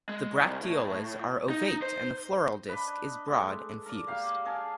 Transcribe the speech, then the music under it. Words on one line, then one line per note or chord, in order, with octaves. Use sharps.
The bracteoles are ovate and the floral disc is broad and fused.
G#3
C2
A2
D#4
C5
D4 B4 D#5 B5
G#3 A3
A#4 D5
A#3 G4 F5
G#4 A#4 G#5 A5